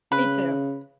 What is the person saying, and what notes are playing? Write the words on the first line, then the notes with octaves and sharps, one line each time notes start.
Me, too.
C#3 B4